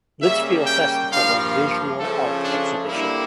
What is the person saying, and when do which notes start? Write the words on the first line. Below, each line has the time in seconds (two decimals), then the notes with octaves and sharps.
Lichfield Festival of Visual Art Exhibition.
0.22 C#3 G3 A#3 E5
0.66 G5
1.11 G2 F3 A#3 F5
2.00 C#3 F3 A3 A4
2.44 D4
2.88 D3 G3 A#3 E4